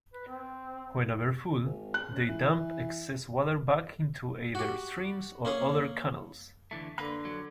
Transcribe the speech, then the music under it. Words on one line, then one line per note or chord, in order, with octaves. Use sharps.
When over full, they dump excess water back into either streams or other canals.
B4
C4
G#1
F#6
C#3
E3
F#4 G4
A#3 C#4 G#4
D3 E3 A3
D3 A#3 B4
F#3